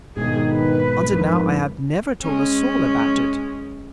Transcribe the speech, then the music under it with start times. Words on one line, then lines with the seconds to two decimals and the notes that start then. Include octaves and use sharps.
Until now I have never told a soul about it.
0.17 G#2 B2 D#3 G#4
0.52 B4
1.11 F2 G#2 A#4
2.21 G#3 C#4